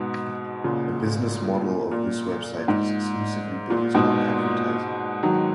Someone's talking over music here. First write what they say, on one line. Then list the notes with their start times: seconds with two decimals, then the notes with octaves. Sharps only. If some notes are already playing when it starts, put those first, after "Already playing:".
The business model of this website was exclusively based on advertising.
Already playing: G#2 B2
0.64 A#2 C#3
1.91 A#2
2.68 G#2
3.70 A#2
3.95 G#2 B2
5.23 D#3 F#3